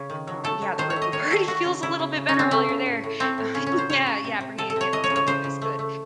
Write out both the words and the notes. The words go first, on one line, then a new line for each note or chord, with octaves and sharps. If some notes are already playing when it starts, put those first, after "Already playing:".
um yeah, the birthday party feels a little bit better while you're there. Uh, yeah. yeah, bringing a gift is always good.
Already playing: C#3 C#4
D#3
F#3
A3 A4
F#3
D#3 C5
C#5
A3
D#5
D#3 C#5
D#3 A4
A3 F#4
C#3
C#3 E4
C#3
C#3
C#4
C#3
C4
C#3 A3
C#3
A2
A2
A3 C4
A2
C#3 C#4
C#4
F#3
C5
C#3 C#5
C#3
C3
C3
C3 A4
A4
C3 C#5
E3 D#5
C#5
C#3
C#5
C#3 C5
C#3
A3
A3